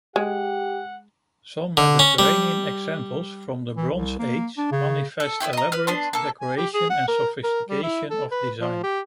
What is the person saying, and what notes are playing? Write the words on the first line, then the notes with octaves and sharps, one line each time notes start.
Some Mediterranean examples from the Bronze Age manifest elaborate decoration and sophistication of design.
G#3 G4 F#5
D3
C#4
G3
E3
C2
A#3
D4
C#3
A4
B3 C#4 E4 G4
D#5 A#5
B4 F6
B3 D4 C6
A#3 A4
G#5
G4
G#4
F#5
A#4
A#4
G3
E4
A4
B4
F3
G4